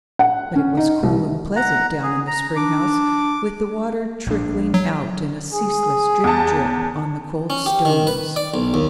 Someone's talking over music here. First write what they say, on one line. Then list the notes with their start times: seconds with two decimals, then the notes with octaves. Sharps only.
But it was cool and pleasant down in the spring-house with the water trickling out in a ceaseless drip-drip on the cold stones.
0.19 F#5
0.55 C#4
0.77 D#4
1.03 C2
1.56 F#5 A#5
2.03 G#4
2.27 A#5
2.56 D4 D6
4.27 A#1 A#2 D4
4.74 F#3
5.53 G#4
6.24 E2 A5
7.50 C#4
7.66 G4
7.85 D#3
8.07 B4
8.36 D5
8.54 B1
8.74 D#2